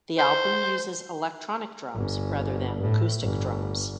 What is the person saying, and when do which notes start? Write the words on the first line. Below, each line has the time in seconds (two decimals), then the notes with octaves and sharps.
The album uses electronic drums rather than acoustic drums.
0.19 C5
1.93 G1
2.82 A2
3.22 G1